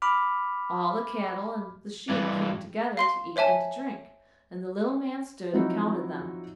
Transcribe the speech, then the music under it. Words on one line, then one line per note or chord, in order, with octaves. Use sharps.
All the cattle and the sheep came together to eat and to drink, and the little man stood and counted them.
B5 D6 F6
G2 E3
F5 C6 C7
C5 C#5 E5 G#5 A5
F3 F#3 C4 D#4 E4 F#4